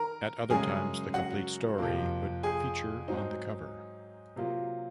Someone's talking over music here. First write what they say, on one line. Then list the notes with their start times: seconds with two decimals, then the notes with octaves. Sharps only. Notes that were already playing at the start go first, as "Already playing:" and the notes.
At other times the complete story would feature on the cover.
Already playing: D#3 A#4 A#5
0.50 F#2 C#3 G#3 G#4 G#5
1.14 F#4 F#5
1.78 F2 C3 F3 A#3
2.43 G#4 G#5
3.08 G#2 F#3 C4 D#4
4.36 C3 F#3 A#3 F4